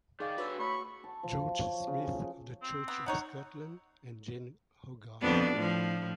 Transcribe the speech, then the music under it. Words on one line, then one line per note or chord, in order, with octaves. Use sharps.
George Smith of the Church of Scotland and Jane Hogarth.
D#3 G#4 D5 F5
D3 F#4 B4 C#5 E6
A2 B5 C#6
A5
F3
C#5
C#3
C4
B3
F#3 D#4 C#5 F#5
F2 B3 D4
A2 F3